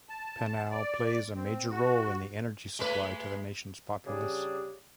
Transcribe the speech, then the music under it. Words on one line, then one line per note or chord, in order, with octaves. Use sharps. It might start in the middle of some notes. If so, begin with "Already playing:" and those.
Penal plays a major role in the energy supply to the nation's populace.
A5
D5
C4
F#4
G#3 A3 B4
C#3 G3 D4 G#4